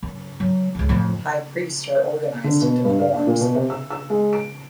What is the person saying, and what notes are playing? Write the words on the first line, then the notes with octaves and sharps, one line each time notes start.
High priests are organized into quorums.
F#2
F#3
C#2 D#3
F2 A2
D3
B2
G2
F5
D4
A#2
B2
C3
E6
E6
G#3
D7